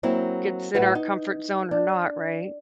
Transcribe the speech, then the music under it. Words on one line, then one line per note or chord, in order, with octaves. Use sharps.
gets in our comfort zone or not, right?
F#3 A#3 C4 E4
A2 E4 F#4 B4
D#4
D4